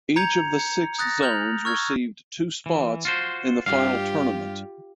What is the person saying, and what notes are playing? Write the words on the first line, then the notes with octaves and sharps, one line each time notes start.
Each of the six zones received two spots in the final tournament.
A#5 G6 G#6 C#7 F7
C#7
D#6 F#6 A6 A#6
F6 G6 F7 F#7
C#6 E6 F6 G#6
E3
F4 F#4 C5
G2 F4 G4 F5